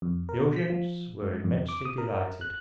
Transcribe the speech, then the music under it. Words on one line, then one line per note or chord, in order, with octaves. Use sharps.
The audience were immensely delighted.
F2
A#4
B2
B6
F3
G#2
F2
D6
D#6
A#4
F#6